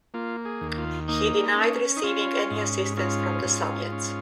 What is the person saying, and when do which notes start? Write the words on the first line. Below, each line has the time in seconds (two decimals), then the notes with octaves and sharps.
He denied receiving any assistance from the Soviets.
0.14 A#3 F4
0.45 G#4
0.61 D#2
0.78 F4
1.08 A#3 D#4
1.55 C#4
1.97 D#4
2.03 C#4 F4
2.51 G#2
2.97 C#4 F4
3.45 G#2
3.92 C#4